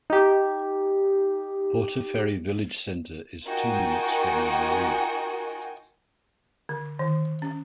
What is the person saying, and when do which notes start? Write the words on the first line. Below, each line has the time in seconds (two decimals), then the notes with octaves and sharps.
Portaferry village centre is two minutes from the marina.
0.10 D#4 G4
3.46 D#4 F4 F#4 A#4 G5 G#5
6.69 D3
6.99 D#3
7.42 C#4